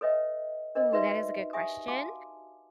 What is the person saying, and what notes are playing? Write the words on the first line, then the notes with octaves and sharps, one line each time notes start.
Ooh, that is a good question.
A4 B4 C#5 D#5 E5 G5
D4 A#4 C5 D#5
D#4 F#4 B4 D5 E5
G4 E5 F#5 G#5 D#6
F#4 F5 G#5 A5 D6